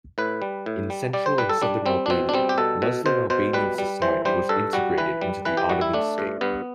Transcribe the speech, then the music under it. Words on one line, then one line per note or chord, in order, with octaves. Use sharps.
In central and southern Albania, Muslim Albanian society was integrated into the Ottoman state.
A2 B4
G3
A2
G3
G3 D5
C5
G3 B4
A4
G3 D4
G3 C4
D4
B2 C4
D4
G3 C4
G4
B2 A4
B2
B2 C5
B2 C5
G3 B4
G3
E3 C5
G3 C5
G2 A4
G3 F#4
E3 B4
G3
E3 B4
G4
G3 F#4
E4
A3 D4
G2
G2 B3